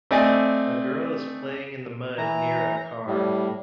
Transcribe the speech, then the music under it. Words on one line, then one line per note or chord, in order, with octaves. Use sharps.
A girl is playing in the mud near a car.
A3 C4 D5 D#5 G#5
E3 A#5
A2 G3